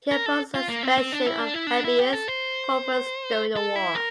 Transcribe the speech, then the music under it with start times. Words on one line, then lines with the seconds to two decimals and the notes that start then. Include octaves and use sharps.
He opposed the suspension of habeas corpus during the war.
0.12 A#4
0.26 A4
0.55 F4
0.69 A#3
0.83 C4
0.98 C4
1.12 D4
1.26 E4
1.40 D4
1.54 E4
1.67 D4
1.84 E4
1.99 G4
2.13 A4
2.28 C5
3.56 A4
3.76 E4
3.95 A#4